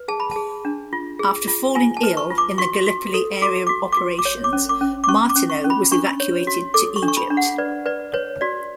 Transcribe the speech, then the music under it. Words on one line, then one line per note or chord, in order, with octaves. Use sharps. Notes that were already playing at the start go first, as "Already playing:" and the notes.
After falling ill in the Gallipoli area of operations Martineau was evacuated to Egypt.
Already playing: B4
G#4 A5
B5
G#4 A5
D4
F4
G#4
F4
F4 G#5
A5
B4
C#6
F4
D6
F#4 C#6
F#4
A4
F#4 D6
F#4 D6
F#4 D6
D6
C#5
D6
C#4
D6
C#4
D6
C#4 C#6
D6
C#4
C#6
C#4
B5
D4 C#6
C#5
F#4
A4 D6
C#6
D4
C#6
B5
D4
F#5
B4 D5
B4 D5
B4 C#5
F#4 D5